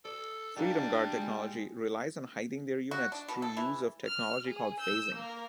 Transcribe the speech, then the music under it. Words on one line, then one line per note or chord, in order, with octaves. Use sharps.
Freedom Guard technology relies on hiding their units through use of technology called phasing.
A4 D5
D#3 G3 A#3 D4 F#4
G#3
F#4
D4
B2
A4
E3
F6
G#4
E6 G6
A#3 A#4